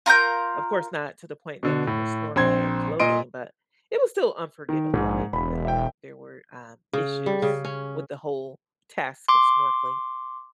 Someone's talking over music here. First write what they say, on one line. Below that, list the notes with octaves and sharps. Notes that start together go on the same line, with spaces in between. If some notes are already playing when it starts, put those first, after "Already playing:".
Of course, not to the point that we were snorkeling and floating, but it was still unforgettable even though there were, um, issues with the whole task of snorkeling.
F4 A#4 A#5 G6
B2 D3
A2
A#1 C4 C5 C6 G#6
A#2 D#5 C6 D7
D#3
A#1 G#2 G#3
E1 B5
E5 G5
C#3
G3
C#3
C#4
C6 D6